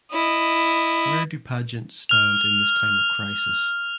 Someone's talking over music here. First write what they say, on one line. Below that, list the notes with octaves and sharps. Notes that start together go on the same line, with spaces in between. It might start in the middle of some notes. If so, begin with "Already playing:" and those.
Where do pageants stand in this time of crisis?
E4 D#5
F6 F7